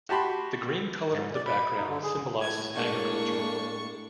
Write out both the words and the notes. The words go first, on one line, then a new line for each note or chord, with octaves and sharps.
The green color of the background symbolizes agriculture.
F#4 G4 A5 B5 C6
G#2
D5
B5
D#4
D3
G#4
A2 G#6
G#3 A#3 D4 C#6